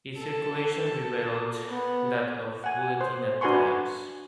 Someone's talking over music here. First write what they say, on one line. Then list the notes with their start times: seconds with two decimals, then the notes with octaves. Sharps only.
Its circulation rivalled that of the "Bulletin" at times.
0.18 A4
1.69 B3
2.64 F#5 G#5
3.01 C5
3.41 D4 F#4 B4 G#5 C6 C#6